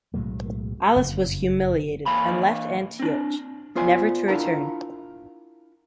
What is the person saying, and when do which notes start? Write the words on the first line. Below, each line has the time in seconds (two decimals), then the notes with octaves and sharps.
Alice was humiliated and left Antioch, never to return.
0.14 B1 A2 F#3 G#3
0.96 F#1 F2
2.06 E3 A#3 F5 G#5 B5
3.00 C4 D4
3.75 B3 F4 C5 D5 G#5
4.28 D4 E4 F4 A#4 F#5 A#5